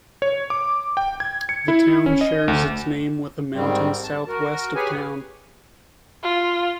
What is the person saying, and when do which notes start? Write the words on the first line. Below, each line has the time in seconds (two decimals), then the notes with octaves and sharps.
The town shares its name with a mountain southwest of town.
0.22 C#5
0.50 D6
0.97 G5
1.20 G#6
1.49 C#7
1.68 E4
2.06 C#4
2.21 D#5
2.48 D2
3.54 G#2 D#3 G3 C4
4.04 A5
4.27 F#4 A#4
4.75 G4 G#4 B4 C#5 G#5
6.23 F4